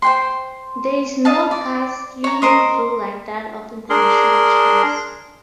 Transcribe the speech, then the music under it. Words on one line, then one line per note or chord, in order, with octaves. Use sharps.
There is no castling rule like that of international chess.
C5 G5 C6
D#5 F5 A5
D5
C#5 A#5
A#4 C5 D#5
D4 G#4 A#4 C6